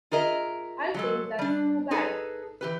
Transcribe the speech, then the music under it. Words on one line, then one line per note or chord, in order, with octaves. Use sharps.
I think that's too bad.
F4 G#4 A#4 D#5 E5
F#3 G#3 A4
G3 D4
D#4 G#4 A4 B4
E3 G4 B4